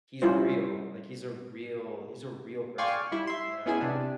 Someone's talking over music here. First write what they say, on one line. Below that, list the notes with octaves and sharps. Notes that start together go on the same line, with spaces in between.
he's real, like, he's a real he's a real person, you know?
G3 C#4 E4 F4 C5
D5 F5 G5 G#5 C6 C#6
G3 E4
E5 C6
B3 C#4 E4 G#4 G#5
C3 D4